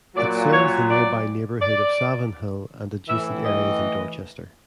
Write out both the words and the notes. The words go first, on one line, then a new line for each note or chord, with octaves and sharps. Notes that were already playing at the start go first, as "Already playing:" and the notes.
It serves the nearby neighborhood of Savin Hill and adjacent areas in Dorchester.
A#2 F#3 D5
C#5
D5
D5
A2 E3 E5
D#5